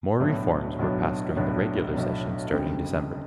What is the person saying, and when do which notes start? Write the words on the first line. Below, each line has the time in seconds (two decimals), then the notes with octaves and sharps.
More reforms were passed during the regular session starting December.
0.20 B1 A2 F#3 B3 D4
0.79 B1 A2 F#3 B3 D4
1.37 B1 A2 F#3 B3 D4
1.95 B1 A2 F#3 B3 D4
2.53 F#1 F2 D3 G3